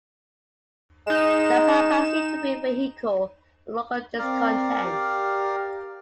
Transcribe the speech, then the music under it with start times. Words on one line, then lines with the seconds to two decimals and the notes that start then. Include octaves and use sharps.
The Papacy could be a vehicle for local discontent.
1.07 G#3 D#4 E7
4.19 C4 A#4 D5 F5
4.85 G4